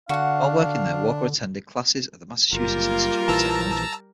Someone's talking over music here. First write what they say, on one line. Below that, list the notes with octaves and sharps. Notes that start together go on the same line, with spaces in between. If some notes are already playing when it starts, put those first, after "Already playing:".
While working there Walker attended classes at the Massachusetts Institute of Technology.
D3 D4 F#4 F5 F#5
F#1 G3 A#3 F4 A#4
A#1 E3 F3 A5 A#5 E6